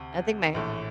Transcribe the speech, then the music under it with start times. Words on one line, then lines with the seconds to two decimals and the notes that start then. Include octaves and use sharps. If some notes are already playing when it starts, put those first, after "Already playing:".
I think my
Already playing: D2 C3
0.54 A#1 A2 E3 A3